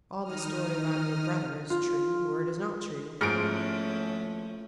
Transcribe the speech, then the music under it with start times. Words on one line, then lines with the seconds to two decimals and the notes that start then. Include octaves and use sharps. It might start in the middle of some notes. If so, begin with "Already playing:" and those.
All this story about your brother is true or is not true.
0.22 D#3 D#4 D#6 F6
1.70 F4
3.21 D#2 G#2 F3 A3 C#4 F6 D7